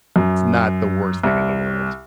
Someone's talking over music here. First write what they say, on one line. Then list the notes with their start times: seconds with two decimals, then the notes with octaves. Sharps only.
it's not the worst thing in the world.
0.16 F#2
1.24 C2